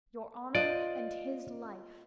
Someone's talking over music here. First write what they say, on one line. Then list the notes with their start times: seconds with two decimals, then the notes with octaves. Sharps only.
Your honor and his life!
0.55 F4 C5 D5 D#5